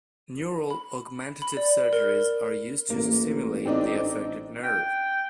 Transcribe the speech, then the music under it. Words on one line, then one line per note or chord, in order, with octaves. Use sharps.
Neural augmentative surgeries are used to stimulate the affected nerve.
B5
B5
D5
A#4
A1 A#3
C4 D4 D#4
G5